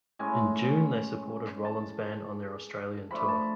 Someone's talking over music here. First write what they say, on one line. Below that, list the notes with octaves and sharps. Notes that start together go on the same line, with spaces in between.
In June they supported Rollins Band on their Australian tour.
A2 G#3 C#4 G#5
A5
F3 A3 D4 B5
A5